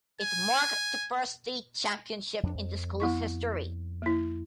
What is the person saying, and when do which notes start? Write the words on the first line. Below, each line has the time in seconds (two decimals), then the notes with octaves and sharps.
It marked the first state championship in the school's history.
0.21 G#5
2.43 F2 D4
2.55 F2
3.00 B3 E4 C#6
4.02 A#3 E4